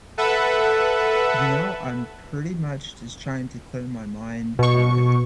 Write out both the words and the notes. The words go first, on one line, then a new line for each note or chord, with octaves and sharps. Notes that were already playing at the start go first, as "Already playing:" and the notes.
You know, I'm pretty much just trying to clear my mind, uh,
A4 B4 E5 F#5
B2 C#6